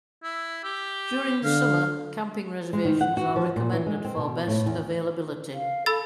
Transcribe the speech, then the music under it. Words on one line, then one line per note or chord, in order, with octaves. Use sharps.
During the summer, camping reservations are recommended for best availability.
E4
G4
D3 F5
G#3
D#3
F#5
F#4
F3
A#2
E3
G#3
C4
B2
A2
E2
F5
A4 B5 E6 A6